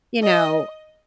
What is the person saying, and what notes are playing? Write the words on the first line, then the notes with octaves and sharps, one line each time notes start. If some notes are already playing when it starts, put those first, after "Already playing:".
you know
D#5